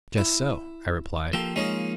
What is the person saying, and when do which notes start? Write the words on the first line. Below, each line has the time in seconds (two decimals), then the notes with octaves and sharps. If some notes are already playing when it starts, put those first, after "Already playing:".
"Just so," I replied.
0.18 E4
1.33 F3 A#3 G4 A4
1.56 F3 G#3 A#3 C#4 D#4 G#4